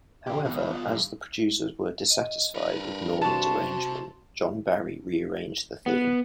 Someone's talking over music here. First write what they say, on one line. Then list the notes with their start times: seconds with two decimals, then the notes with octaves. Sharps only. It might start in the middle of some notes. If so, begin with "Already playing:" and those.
However, as the producers were dissatisfied with Norman's arrangement, John Barry re-arranged the theme.
0.27 C#4 G4
0.44 F2 B2
0.58 F2
0.70 B3 F4
0.86 B1 G2
2.11 D#5
2.55 G2 A#4 B4 B5
3.22 C3 F#4 A5 C6 C#6
5.86 B3